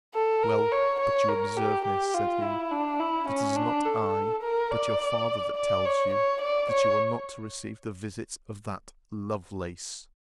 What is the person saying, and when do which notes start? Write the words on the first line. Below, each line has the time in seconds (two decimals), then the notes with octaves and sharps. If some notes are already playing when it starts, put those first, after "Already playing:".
Well, but you observe, Miss, said he, that it is not I, but your father, that tells you, that you are not to receive the visits of that Lovelace.
0.15 A4
0.43 A#4
0.72 C#5
1.00 C#5
1.29 A#4
1.57 G4
1.85 G4
2.14 F4
2.43 E4
2.71 D4
2.99 E4
3.29 C#4
3.56 D4
3.85 A4
4.43 A#4
4.71 D5
5.56 D5
5.85 C#5
6.14 C#5
6.42 D5
6.71 C#5